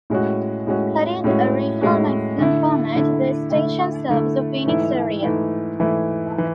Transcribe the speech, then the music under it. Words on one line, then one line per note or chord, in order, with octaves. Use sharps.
Carrying a Regional Mexican format, the station serves the Phoenix area.
A2 G#3 C#4 F#4
A2 G#3 C#4 F#4
A2 G#3 C#4 F#4
A2 G#3 C#4 F#4
D3 A3 E4
D3 A3 E4
D3 A3 E4
D3 A3 E4
G#2 E3 A3 E4
G#2 E3 A3 E4
G#2 E3 A3 E4
E3